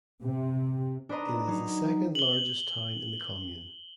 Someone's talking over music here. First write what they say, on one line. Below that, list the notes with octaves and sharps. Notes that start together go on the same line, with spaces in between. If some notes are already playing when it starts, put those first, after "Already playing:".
It is the second largest town in the commune.
C3
D4 B4 C5 D#5 A#5
F#3 D#4
F#7 G7